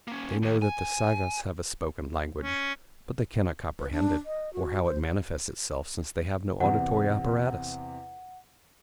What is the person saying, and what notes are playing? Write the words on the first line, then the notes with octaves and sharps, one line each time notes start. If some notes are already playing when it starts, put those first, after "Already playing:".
They know that the Sagoths have a spoken language, but they cannot comprehend it, or how it manifests itself, since they have no auditory apparatus.
A#3 C#4
D#2
G#5
C#4
B4
D4
D#5
F#4
C5
E2 C3 F#5